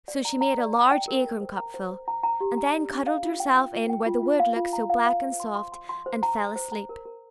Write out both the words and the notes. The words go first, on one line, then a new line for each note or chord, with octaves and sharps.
So she made a large acorn-cup full, and then cuddled herself in where the wood looks so black and soft, and fell asleep.
D5
A#5
A#5
D5
A#5
G5
A#4
A#4
C5
A#5
C5
C5
A#5
A#5
G4
A#5
D5
D4
F5
F4
G5
G5
F4
G5
F4
F4
F5
F4
A#5
F5
F5
C5
C6
C6
C6
C6
C5
A#5
C5
C5
A#5
A#4
A#4